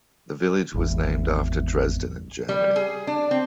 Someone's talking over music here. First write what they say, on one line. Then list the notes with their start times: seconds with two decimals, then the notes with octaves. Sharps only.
The village was named after Dresden in Germany.
0.74 G#1 E2
2.49 G3
2.76 G#4
3.07 D4
3.31 C4